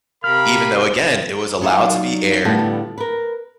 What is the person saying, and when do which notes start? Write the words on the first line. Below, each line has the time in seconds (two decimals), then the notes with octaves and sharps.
even though, again, it was allowed to be aired,
0.24 C3 A#4 F5 B5 F6
1.62 F#3 D#4 F4 D5 F5
2.45 A2 D3 G3 B3 F4 A4
2.98 A#4 B4